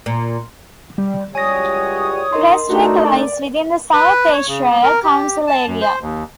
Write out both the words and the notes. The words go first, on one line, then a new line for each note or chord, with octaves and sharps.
Prestwick lies within the South Ayrshire Council area.
A#2
G3
C#2 G3 F#4 C#5 G#5 D#6 A#6
D#4 A#4 D#5 C6
A3 D4 D#4 F#4
D5
B4
C#5
C#3
B3
A#4
G4
A5
F#2
C5
D#2